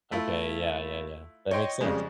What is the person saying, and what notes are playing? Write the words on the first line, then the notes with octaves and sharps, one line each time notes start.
Okay, yeah, yeah, yeah. That makes sense.
A3 E4 F4
C#5 D#5 G5 C6
F2 C#3 G3 G#3